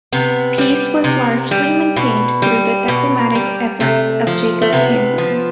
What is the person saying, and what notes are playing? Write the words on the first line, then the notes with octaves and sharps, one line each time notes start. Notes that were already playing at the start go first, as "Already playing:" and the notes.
Peace was largely maintained through the diplomatic efforts of Jacob Hamblin.
C3 B3
G3
C3
G3
B2
G3
B2
G3
C3 A3
F3
A3
C3 B3
F3